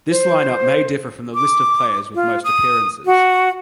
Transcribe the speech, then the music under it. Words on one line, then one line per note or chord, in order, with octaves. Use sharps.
This line-up may differ from the list of players with most appearances.
C5
D6
F4
D#6
F#4